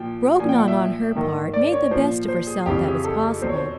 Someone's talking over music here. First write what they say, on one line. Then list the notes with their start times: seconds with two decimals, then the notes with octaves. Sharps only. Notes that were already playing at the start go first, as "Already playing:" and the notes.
Grognon, on her part, made the best of herself that was possible.
Already playing: A#2 F3 G5
0.39 A#2 F3 G#5
0.49 G5
0.58 F#5
0.68 E5
1.15 G#2 D#3
1.54 D5
1.72 C#5
1.91 A#2 F3 C5
2.28 C5
2.47 G#4
2.66 F2 C#3 E3 G4
2.85 G#4
3.04 A4
3.41 E2 B2 C5
3.49 C#5
3.56 C5